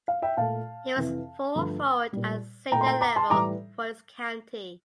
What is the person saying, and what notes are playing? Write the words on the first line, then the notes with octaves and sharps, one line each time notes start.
He was full forward at senior level for his county.
F5
E5 G5
A#2 A3 F5 A5
F2 C3 E3
G2 D3 F3 A3
A#2 G3
A#2 A3 G5 A#5
C6
G5 A#5
A#5 D6
A5 C6
A2 E3 G3 A#5 D6